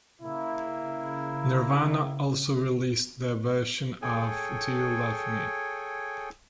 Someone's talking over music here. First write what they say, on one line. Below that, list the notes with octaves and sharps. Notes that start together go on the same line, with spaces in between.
Nirvana also released their version of Do You Love Me?
C#3 A#3 E4
G#4 A4 C#5 G5 G#5